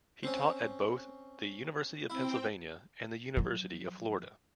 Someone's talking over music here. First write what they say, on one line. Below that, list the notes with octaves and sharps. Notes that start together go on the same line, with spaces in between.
He taught at both the University of Pennsylvania and the University of Florida.
C4 C#4
C4 E4 G5
F3 F#3